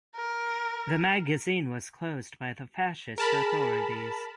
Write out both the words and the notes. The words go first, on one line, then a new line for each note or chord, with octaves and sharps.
The magazine was closed by the fascist authorities.
A#4
G#4 A#4 A5 B5